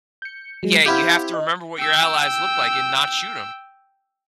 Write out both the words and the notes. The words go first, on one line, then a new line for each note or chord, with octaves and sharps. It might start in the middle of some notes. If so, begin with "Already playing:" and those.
Yeah, you have to remember what your allies look like and not shoot 'em.
G6 C#7
F#3 G#3
C4 E4 G4 F5 F#5 F6
D#5
G5 E6